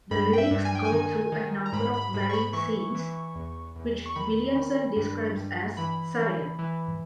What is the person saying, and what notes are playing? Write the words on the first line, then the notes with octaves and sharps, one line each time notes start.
The lyrics go through a number of varying scenes, which Williamson describes as surreal.
G2 B5
G5
E5
G2
G#5
G5
G#5
D#3
D#3
A#5
G#2 B5
B5
G#2 B5
C#6
B5
E3 C#6
E3
E2
E2
C#6
D#3 B5
D#3
G2
G2
E3 B5
E3
E3